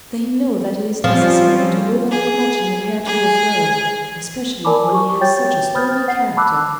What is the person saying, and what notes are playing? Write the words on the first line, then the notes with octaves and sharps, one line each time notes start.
They know that it is necessary to overlook much in an heir to the throne, especially when he has such a stormy character.
F3 G3 C4 C#4
G#4
G#4
A#4 D5 G#5 A5 B5 D6
G4 C#6
F#4 C#5 G5 G6 A6
C5 B5 D#6 F6 G6 A6
F#5 C7
F#5 A5 B5 D6 E6 F#6